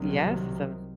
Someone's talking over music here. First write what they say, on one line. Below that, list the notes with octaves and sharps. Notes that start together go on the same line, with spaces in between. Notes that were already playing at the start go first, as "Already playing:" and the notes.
Yes, it's a v
Already playing: C2 C3 D#3 F#3